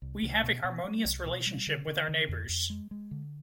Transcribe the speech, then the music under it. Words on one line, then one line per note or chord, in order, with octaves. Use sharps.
We have a harmonious relationship with our neighbours.
C2
C2
B2
B2
G3
C2
B2
G3
D3
D3
D3
F2
F2
G#3
G#3
D3